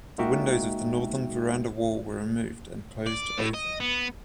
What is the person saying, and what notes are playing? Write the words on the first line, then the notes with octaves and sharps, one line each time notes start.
The windows of the northern verandah wall were removed and closed over.
G#3 A#3 D#4 F#4 E5 G5
D5
A2
D#5
B3